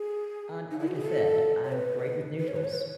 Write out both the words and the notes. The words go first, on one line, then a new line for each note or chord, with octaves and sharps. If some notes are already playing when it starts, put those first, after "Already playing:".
Um, like I said, I'm great with neutrals
Already playing: G#4
D#4
E4
F#4
G#4
A4
C#5
B4
B4
C#5
B4
C#5
B4
C#5